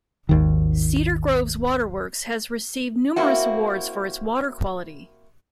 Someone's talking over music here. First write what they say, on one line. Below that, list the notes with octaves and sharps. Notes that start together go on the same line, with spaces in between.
Cedar Groves waterworks has received numerous awards for its water quality.
G#1 D#2 D#3
A#3 C4 E4 F#4